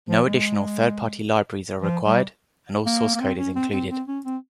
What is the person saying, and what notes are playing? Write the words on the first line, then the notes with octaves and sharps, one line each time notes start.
No additional third party libraries are required, and all source code is included.
F3
G#3
F3
G3
A#3
A#3
C4
C#4
C4
C4
C4
C#4
C4